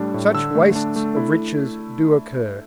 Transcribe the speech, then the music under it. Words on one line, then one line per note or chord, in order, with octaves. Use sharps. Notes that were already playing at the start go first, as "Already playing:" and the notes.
Such wastes of riches do occur.
Already playing: A2 G3 A3 D4
A2
D3 E6
A3
D4
A3
E4